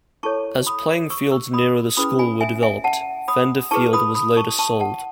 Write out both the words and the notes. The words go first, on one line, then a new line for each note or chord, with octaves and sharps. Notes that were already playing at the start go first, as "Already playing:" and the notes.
As playing fields nearer the school were developed, Fender Field was later sold.
E4 A4 C#5 A5 C#6
B5 D#6
C#6 E6
C#6 E6
B5 D#6
C#4 E4 G#4 B4 B5 D#6
G#5 B5
E5 G#5
E5 G#5
F#5 A5
B5 D#6
E4 G#4 B4 A5 C#6
B5 D#6
B5 D#6
A5 C#6
A5 C#6
F#5 A5